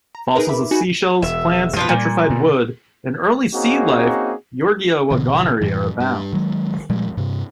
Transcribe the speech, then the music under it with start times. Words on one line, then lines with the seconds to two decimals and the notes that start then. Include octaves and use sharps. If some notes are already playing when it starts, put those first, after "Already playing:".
Fossils of seashells, plants, petrified wood and early sea life Yorgia waggoneri are abound.
0.15 A#5
0.35 D#4 G#4 A#4 B4
0.49 E5 B5 D6
0.71 D#4 F#4 G#5 B5
1.22 E1 E5
1.77 F#2 B2 F3 F4 B4
1.89 A#2 G3
2.30 G2 B2 D3
3.54 A#3 C4 C#4 D#4 F#4 G#4
5.10 G#1 B2 D3 E3
5.61 F#2 A2 E3 G3
6.00 G2
6.33 D#3 F#3 G#3
6.90 A#2 F3 G3 G#3
7.17 G2 C3